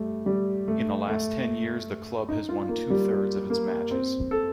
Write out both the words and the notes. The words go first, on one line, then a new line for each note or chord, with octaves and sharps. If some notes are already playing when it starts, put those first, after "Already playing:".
In the last ten years, the club has won two thirds of its matches.
Already playing: G3 A3
G3
A3
A3
D#4
F4
A#3
G3
A#3
C4
A4